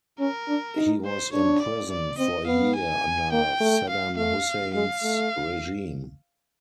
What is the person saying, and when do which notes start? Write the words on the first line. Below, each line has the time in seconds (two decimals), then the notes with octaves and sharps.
He was imprisoned for a year under Saddam Hussein's regime.
0.20 C#4 A#4
0.48 D4
0.76 D#4
1.05 C5
1.33 D4 C#5
1.62 D5
1.90 D5
2.18 C4 D#5
2.47 B3 F5
2.75 G#5
3.32 A#3 G5
3.60 A3
3.89 F5
4.17 A3 F5
4.74 G#3 F5
5.03 A3